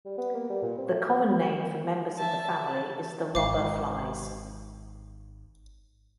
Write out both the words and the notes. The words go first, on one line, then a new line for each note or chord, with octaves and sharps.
The common name for members of the family is the robber flies.
G3
B3
A#3
G3
A#2
C4
A3
E5 A5
A5
G#1 F5 D6